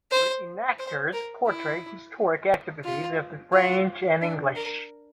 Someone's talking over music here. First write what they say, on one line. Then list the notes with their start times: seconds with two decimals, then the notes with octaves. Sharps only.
Re-enactors portray historic activities of the French and English.
0.11 C5
0.79 C5
1.13 A#4
1.47 E4
2.84 F4
3.53 F4
4.21 D4
4.56 A#4